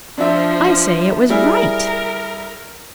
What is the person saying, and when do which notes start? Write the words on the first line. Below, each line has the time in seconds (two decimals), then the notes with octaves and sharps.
'I say it was right.
0.17 F3 D4 E5
1.30 G3 E4 G#4 A#4